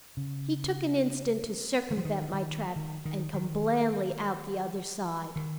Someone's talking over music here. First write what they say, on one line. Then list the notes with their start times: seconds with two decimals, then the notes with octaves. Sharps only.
He took an instant to circumvent my trap and come blandly out the other side.
0.17 C#3
1.90 D#3
1.97 F3
2.05 D#3
2.33 D#3
2.76 D#3
3.05 D#3
3.34 D#3
5.36 D#3